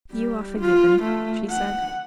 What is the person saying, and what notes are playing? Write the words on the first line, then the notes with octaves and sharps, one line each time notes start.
"You are forgiven," she said.
G3
F4
A3
F#5